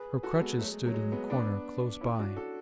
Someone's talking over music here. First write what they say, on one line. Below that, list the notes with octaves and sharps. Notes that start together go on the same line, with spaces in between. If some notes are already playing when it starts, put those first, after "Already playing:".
Her crutches stood in the corner close by.
Already playing: G#4 B4
F#4 A4
G#3 B3
G#3
F#3 A3
G#3
F#3
G#3
G#3 B3
B3 D4
C#4 E4
D4 F#4
F#4 A4